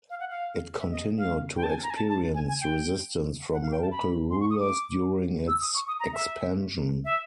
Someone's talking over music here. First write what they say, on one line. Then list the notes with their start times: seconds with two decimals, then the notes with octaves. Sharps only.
It continued to experience resistance from local rulers during its expansion.
0.10 F5
0.20 F#5
0.30 F5
0.79 E5
0.91 D#5
1.18 F5
1.56 G5
1.63 A5
1.70 G#5
1.83 A#5
1.90 G#5
1.96 A5
2.09 A5
2.35 G#5
2.48 G#5
2.61 G5
3.52 F#5
3.62 F5
3.72 G5
3.82 A5
3.91 B5
4.30 C6
4.40 C#6
4.50 D#6
4.60 D6
5.48 E6
5.61 D#6
5.74 C#6
5.88 D#6
6.00 A#5
6.13 E5
7.05 E5